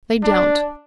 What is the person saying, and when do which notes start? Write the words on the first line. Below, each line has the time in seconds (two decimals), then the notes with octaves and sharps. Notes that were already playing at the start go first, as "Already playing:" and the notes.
They don't.
0.23 D4